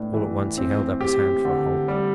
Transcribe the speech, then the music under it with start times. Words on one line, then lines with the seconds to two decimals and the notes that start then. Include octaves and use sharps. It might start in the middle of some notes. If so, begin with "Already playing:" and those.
All at once he held up his hand for a halt.
Already playing: A2 B3 D4
0.14 E3
0.58 C4
1.01 G4
1.45 D3
1.88 G3